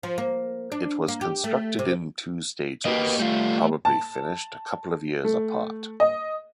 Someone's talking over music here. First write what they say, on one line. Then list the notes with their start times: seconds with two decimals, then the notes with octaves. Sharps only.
It was constructed in two stages, probably finished a couple of years apart.
0.03 F3
0.18 A#3
0.72 D4
1.08 A#3
1.21 G4
1.44 A3
1.79 C3
2.85 A#3 G4 B4 D#5
3.20 G3 A3 F4
3.85 A5
5.24 A3
6.00 D#5